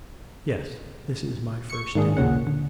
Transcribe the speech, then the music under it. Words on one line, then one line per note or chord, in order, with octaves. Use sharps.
'Yes, this is my first day.'
C#6 C#7
G#2 D#3 A#3 D4 G#4
A1 D#2 A#2 C#3 C#4 F#5
D3